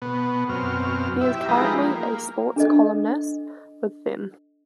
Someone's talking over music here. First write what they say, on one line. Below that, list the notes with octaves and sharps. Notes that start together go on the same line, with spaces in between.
He is currently a sports columnist with them.
B2 B3
F#2 B2 C4 F6
E4 G4 E5
F3 G#3 D#4 G4 B4 A#5
A#3
D4 A4 D#5